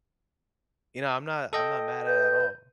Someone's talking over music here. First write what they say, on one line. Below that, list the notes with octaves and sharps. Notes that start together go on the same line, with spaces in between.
you know, I'm not I'm not mad at at all,
A4 D#5 G5
B4 G6